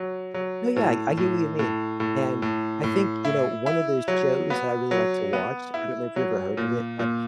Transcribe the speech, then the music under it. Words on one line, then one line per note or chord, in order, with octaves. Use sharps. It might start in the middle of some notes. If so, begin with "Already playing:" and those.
No, yeah, I I get what you mean. And I think, you know, one of those shows that I really like to watch, I don't know if you've ever heard of it, but
Already playing: F#3
F#3
A2
A2
A2
A2
A2
A2
E4
E4
F#3
B3
F#3
B3
E4
F#3
A#2
A#2